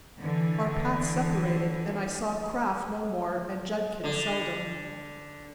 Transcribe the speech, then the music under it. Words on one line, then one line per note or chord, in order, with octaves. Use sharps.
Our paths separated, and I saw Kraft no more and Judkins seldom.
D3 E3
D3